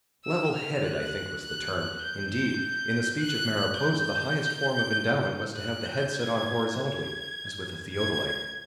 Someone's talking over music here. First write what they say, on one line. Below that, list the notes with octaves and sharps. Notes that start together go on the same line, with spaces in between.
"Level-headed" I think was the term; indeed in the speech of Mariposa, the highest form of endowment was to have the head set on horizontally as with a theodolite.
E6
F6
F#6
F#6
G6
G6
G6
F#6
G6
F#6
G6
G#6
G#6
G#6